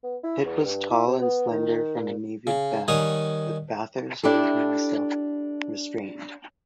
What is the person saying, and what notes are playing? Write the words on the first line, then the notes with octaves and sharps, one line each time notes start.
Pitt was tall and slender from a Navy family, but Bathurst was more self-restrained.
B3
E4
E2
G2
E4
C3
B3
D#3
A#2
C#3
D#3 G3 C#5 F#5 G#5 D#6
D4 E4 G4 A4